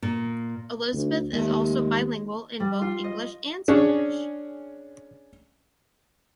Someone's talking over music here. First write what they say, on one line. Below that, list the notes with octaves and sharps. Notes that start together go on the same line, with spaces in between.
Elizabeth is also bilingual in both English and Spanish.
A#2
D2
D#2 G#3 E5
G3
F4
D#5
C#4 D4 G#4 C#5